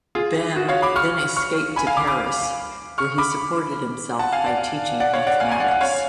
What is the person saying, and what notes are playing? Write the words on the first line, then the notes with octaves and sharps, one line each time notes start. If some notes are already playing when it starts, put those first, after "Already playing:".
Bem then escaped to Paris, where he supported himself by teaching mathematics.
F4 G#4
F#4
C#5 F5
B5 D6
C#6 F6
C#6 F6
G#5 B5
F5 G#5
B5 D6
B5 D6
C#6 F6
B5 D6
F#5 A5
F5 G#5
D5 F#5
D5 F#5
C#5 F5
D5 F#5
F5 G#5
G#5
D5 F#5
F#5
C#5 F5